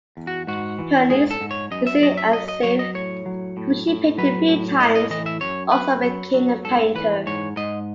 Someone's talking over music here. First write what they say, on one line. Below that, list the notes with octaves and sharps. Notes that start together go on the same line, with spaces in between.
Her niece Lizzy Ansingh, who she painted a few times, also became a painter.
E2
F#4
G#2 F#4
E3
G#2 G#4
A4
G#2
C#5
F#2 D#5
E5
F#3 D#5
E5
F#3 D#5
D#5
F#3 C#5
D#5
A2 C#5
F#3
A2
A2
F#3 B4
A2
A2 D#5
D#5
E3 D#5
E5
F#2 C#5
F#2 B4
F#3
F#3
G#2 A4
E3 B4
G#2 C#5
G#2 D#5